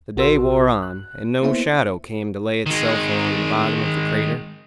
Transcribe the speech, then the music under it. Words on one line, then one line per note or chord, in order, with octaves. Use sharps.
The day wore on, and no shadow came to lay itself along the bottom of the crater.
A#1 F#4 A#4 C6 E6
F#6
A#3 B3 E4 C5 E5
D#3 G#3